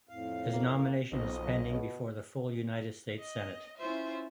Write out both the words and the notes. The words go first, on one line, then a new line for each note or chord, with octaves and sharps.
His nomination is pending before the full United States Senate.
F2 A2 F5
A#3
B1 F2 D#5
B2
D#5
C#4 E4 F4 C5 E5